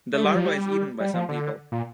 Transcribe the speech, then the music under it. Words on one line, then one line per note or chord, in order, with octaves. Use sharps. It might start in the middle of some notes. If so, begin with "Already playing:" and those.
This larva is eaten by some people.
A3
G3
F3
G3
G3
F3
D3
A#2